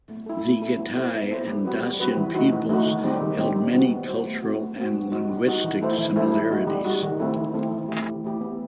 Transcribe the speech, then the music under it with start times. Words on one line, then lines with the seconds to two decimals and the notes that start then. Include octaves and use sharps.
The Getae and Dacian peoples held many cultural and linguistic similarities.
0.09 A3
0.26 E4 A4
0.43 A3
0.62 E4 A4
0.79 B3
0.96 E4 A4 C5
1.14 B3
1.31 E4 A4 C5
1.47 G3
1.65 C4 F#4 B4
1.83 G3
2.00 C4 F#4 B4
2.17 E3
2.34 A3 D#4 F#4
2.52 E3
2.69 A3 D#4 F#4
2.86 D#3
3.03 G3 C4 D#4 G4
3.21 D#3
3.39 G3 C4 D#4 G4
3.56 G3
3.73 B3 F#4 C5
3.90 G3
4.08 B3 F#4 C5
4.26 A3
4.42 C4 F#4
4.59 A3
4.77 C4 F#4
4.94 G3
5.12 D#4 F#4
5.29 G3
5.47 D#4 F#4
5.64 E3
5.81 A3 E4 A4 C5
5.98 E3
6.16 A3 E4 A4 C5
6.32 G3
6.50 D#4 F#4
6.67 G3
6.85 D#4 F#4
7.03 D#3
7.19 A3 C4 E4 A4
7.36 D#3
7.54 A3 C4 E4 A4
7.71 E3
7.89 A3 E4 G4
8.07 E3
8.24 A3 E4 G4
8.41 B3